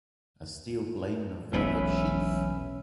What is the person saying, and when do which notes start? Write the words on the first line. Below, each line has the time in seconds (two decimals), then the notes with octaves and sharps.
A steel blade in a velvet sheath!
1.53 E1 B1 A2 C#4 B4 E5